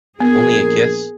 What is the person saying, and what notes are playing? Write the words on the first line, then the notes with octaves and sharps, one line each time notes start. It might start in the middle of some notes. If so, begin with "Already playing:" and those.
Only a kiss?
A#1 B3 G#4 A#4